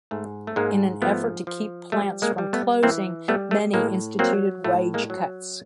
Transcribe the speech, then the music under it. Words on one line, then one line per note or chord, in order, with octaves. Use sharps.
In an effort to keep plants from closing, many instituted wage cuts.
G#2 A3
A3
G#2 G#3 A#3
F3 A3 B3
F3
G3 A3
G#3 A#3
G3
A3 B3
E3 A#3 C4
G3 A3 B3
A3
A2 G#3 A#3
F#3 A#3 C4
A2 A3
G#3 A#3
F#3